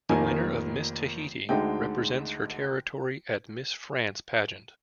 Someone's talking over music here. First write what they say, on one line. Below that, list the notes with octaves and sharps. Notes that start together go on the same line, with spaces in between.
The winner of Miss Tahiti represents her territory at Miss France pageant.
F1 F2 D#3 A#3 D#4 G#5
D2 D3 G#3 D#4 G5